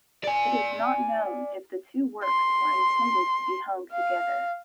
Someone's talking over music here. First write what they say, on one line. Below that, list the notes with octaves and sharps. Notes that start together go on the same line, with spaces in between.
It is not known if the two works were intended to be hung together.
D5 G#5
C6
F5